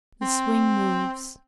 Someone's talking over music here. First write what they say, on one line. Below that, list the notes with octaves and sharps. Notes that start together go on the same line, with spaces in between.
The swing moves.
C4